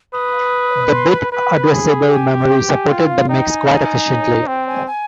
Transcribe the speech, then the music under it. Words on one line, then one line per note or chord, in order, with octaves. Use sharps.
The bit addressable memory supported the mix quite efficiently.
B4 D#6
C6
B5
B4 B5
G#4
G4 G#5
G5
G#5
F4 G5
F5
D#4 G5
G#5
G#5
C4 G5
G#5
G#5